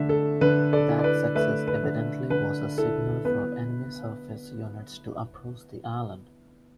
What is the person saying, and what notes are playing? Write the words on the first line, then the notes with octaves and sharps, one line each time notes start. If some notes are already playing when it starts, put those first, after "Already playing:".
That success evidently was a signal for enemy surface units to approach the island.
Already playing: D3 A3 E5
A4
D3 B4
A4 D5
E4
D5
B4
A3 B4 E5
B4
D3
D3 B4
E4 A4
B3 B4